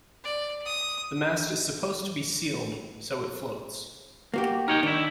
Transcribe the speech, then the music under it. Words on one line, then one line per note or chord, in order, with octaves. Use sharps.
The mast is supposed to be sealed, so it floats.
D5
D#6
A#3 F#4 G4
D#4 A#4 C#5 G5
D#3 D4 E4